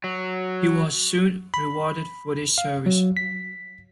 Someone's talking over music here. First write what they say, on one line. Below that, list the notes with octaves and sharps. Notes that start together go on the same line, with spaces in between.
He was soon rewarded for this service.
F#3
B5
F5
F#3
B6